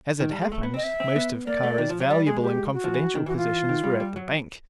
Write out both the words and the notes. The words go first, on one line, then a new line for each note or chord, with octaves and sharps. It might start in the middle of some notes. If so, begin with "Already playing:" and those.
As it happened, most of Kara's valuable and confidential possessions were at the bank.
D#3
G3
G#3
A3
B3
C4 D#5
E5
C4
B3
A#3 D5
A3
D#3
F3
F#3 C#5
G3 D5
G#3 G#4
G4
F#4
F3
E3
D#3
E3 F#4
F4
D#3
G3
G3
F#3